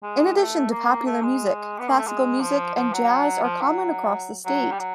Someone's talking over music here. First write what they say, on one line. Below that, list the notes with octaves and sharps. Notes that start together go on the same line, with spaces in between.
In addition to popular music, classical music and jazz are common across the state.
G#3
A3
A#3
A3
G#3
B3
A#3
A3
G#3
F3
F3
F#3
F3
F#3
F#3
G3
F#3